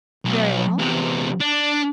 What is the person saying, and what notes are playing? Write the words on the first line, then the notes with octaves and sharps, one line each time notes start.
'Very well.
B1
E2 C3
D4